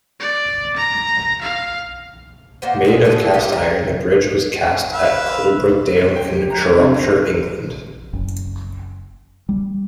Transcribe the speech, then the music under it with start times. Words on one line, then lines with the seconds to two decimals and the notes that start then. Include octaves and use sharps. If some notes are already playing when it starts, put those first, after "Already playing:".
Made of cast iron, the bridge was cast at Coalbrookdale in Shropshire, England.
0.20 D5
0.76 A#5
1.42 F5
2.62 A#3 B3 C5
2.85 G#3 D4 E4 G5
3.04 D3 F3 G#3 A#3
3.21 E4
3.33 G3 D#4 G4 E5
3.53 A#4
4.93 B4 E5 F5
5.96 G#6
6.16 G5
6.33 G4
6.50 A#5
6.62 G#6
6.79 C3
8.13 F#1
9.49 G3